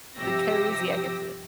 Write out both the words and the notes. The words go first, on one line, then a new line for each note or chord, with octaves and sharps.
The cozy. I get the
G2 C3 F3 G4 E6 A#6